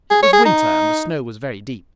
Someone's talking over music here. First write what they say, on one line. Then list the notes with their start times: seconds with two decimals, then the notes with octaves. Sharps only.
It was winter and the snow was very deep.
0.10 G#4
0.23 C#5
0.33 G#4
0.45 D#4